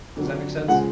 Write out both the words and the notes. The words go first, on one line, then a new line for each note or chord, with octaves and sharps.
Does that make sense?
F2 D3 F#3
C#3 F3 G#3 F#5